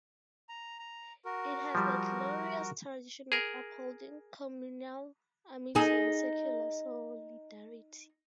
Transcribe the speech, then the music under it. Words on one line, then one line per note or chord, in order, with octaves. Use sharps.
It has the glorious tradition of upholding communal amity and secular solidarity.
A#5
A#5
F#4 A#4
F3 G3
G#4 A#4
D#4 G#4